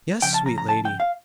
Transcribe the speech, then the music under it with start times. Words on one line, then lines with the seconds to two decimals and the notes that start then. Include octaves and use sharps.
"Yes, sweet lady."
0.22 C#3 F3 C#4 G5
0.34 A5
0.46 A#5
0.58 A#5
0.69 A5
0.85 G5
1.00 F5